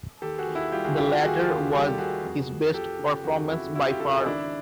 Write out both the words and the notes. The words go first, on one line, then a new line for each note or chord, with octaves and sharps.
The latter was his best performance by far.
D#2 G4 A4
F#4 G#4
D#2
E4 F#4
G3 F4 G4
F#4 G#4
D#3 F4 G4
F4 G4
D#2 F#4 G#4
F4 G4
D#2
G3 G4 A4
D#3 F#4 G#4
F2
F2
F3 G4 A4
C#3
F2 F#4 G#4
F2 E4 F#4
F3 E4 F#4
F4 G4
C#3 G4 A4
F#4 G#4
D#4
G#1 D4 E4